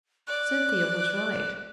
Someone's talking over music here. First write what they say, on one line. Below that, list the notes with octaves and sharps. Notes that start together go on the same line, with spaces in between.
Cynthia was right.
D5 F#6